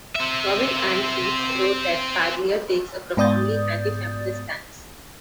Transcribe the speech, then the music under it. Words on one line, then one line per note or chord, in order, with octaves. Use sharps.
Robin Ann Sheets wrote that Paglia takes a profoundly anti-feminist stance.
C4 E5
G#2 B3 D5 D#6 G6 A6